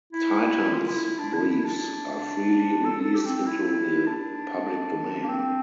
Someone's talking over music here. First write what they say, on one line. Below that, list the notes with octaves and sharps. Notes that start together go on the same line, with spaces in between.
Titans Briefs are freely released into the public domain.
E4
F4
E4
E4
D4
E4
E4
D4
A4
A4
G4
D4
C4
C4
E4
D4
A#3
C4